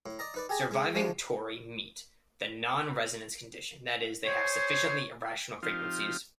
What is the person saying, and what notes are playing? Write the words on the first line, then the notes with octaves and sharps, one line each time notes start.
Surviving tori meet the non-resonance condition, that is, they have "sufficiently irrational" frequencies.
A2
D5 D#5 A#5
D#4 B4 D5
G4 G#4 G#5 A#5
G#3
F3 G#3 A3 D4
G#4 C5 C#5
F3 C4 D#4 F4 G4 F5